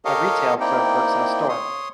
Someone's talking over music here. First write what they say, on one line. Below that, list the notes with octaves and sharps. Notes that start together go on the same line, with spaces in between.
A retail clerk works in a store.
G4 A4 A#4 C#5 D#5 F5
A#3 C4 D#4 E4 D5 G5
C#5 C6 D#6